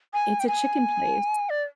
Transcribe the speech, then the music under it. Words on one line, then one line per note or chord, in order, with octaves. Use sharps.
It's a chicken place.
G#5
G5
G#5
D5